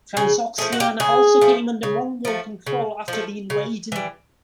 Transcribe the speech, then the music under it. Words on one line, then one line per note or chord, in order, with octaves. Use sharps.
Transoxiana also came under Mongol control after the invasion.
C#3 G#4
F3 A3 G#4
F#4
G4
C#3 G#4
F3 A3
C#3
F3 A3
C#3
F3
A3
C#3
E3 G3